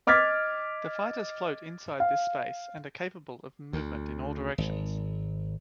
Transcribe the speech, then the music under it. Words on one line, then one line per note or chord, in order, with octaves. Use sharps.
The fighters float inside this space and are capable of movement in all directions.
D#5 D6 F6 G#6 A6 B6
F5
D2
G#1